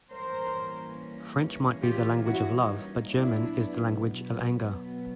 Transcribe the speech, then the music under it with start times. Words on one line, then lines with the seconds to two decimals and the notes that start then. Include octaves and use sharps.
French might be the language of love, but German is the language of anger.
0.11 E3 G3 A#3 C#4 A#4 C5
1.82 F4 G4
2.24 E4 F#4
2.67 D#4
3.09 D4 E4
3.52 B2 F#3 B3